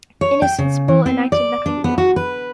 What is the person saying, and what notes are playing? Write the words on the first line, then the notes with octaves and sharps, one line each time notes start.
Innocent's Bull enacted nothing new.
C#5
G5
C#3
E3
C4
D5
D4
B3
F#4
B4